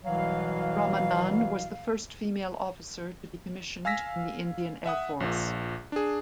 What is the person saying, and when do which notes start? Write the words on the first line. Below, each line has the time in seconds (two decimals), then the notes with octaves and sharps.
Ramanan was the first female officer to be commissioned in the Indian Air Force.
0.05 C2 B2 E3 F#3 F5
3.85 F5 G#5 E6 A#6 B6
4.86 E5 F#5 D#6
5.20 A#1 A#2
5.92 D4 G#4